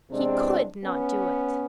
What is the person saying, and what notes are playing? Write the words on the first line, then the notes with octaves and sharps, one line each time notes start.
He COULD not do it!
E2 C3 E3 G#3 C4 D4
B3 C#4